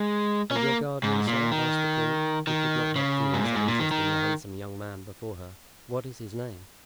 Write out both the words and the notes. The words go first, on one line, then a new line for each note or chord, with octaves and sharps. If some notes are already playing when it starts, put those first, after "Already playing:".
"And your guardian, sir," asked the queen, who could not help feeling some interest in the handsome young man before her, "what is his name?"
Already playing: G#3
C#4
A#3
G#2
A#2
D#3
D#3
C#3
G#2
A#2
G#2
A#2
D#3
D#3